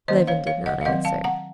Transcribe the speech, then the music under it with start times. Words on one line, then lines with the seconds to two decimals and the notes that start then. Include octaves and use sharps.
Levin did not answer.
0.08 D#3 A#3 C#4 C5 D#5
0.27 C#5 F5
0.47 C#5 F5
0.66 D#5 F#5
0.81 F5
0.85 D#3 F#3 C4 D#5 F#5
1.05 F5 A5
1.24 F#5 A#5